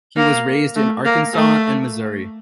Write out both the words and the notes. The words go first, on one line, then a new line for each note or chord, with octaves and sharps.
He was raised in Arkansas and Missouri.
A#3
A3
A#3
A3